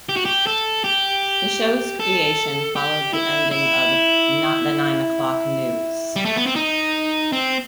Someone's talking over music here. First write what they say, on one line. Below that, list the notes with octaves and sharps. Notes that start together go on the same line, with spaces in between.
The show's creation followed the ending of "Not the Nine O'Clock News".
G4
F#4
G4
A4
G4
A4
G4
E4
E4
G3
A3
B3
C4
D#4
C4